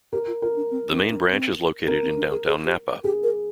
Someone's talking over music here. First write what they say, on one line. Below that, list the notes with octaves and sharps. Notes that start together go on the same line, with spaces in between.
The main branch is located in downtown Napa.
G4 A#4
F4
F4 A#4
D4
C4
C4
D4
C4
C4 A#4
C4
D4
G#4
G#4
G4
G4 G#4
A#4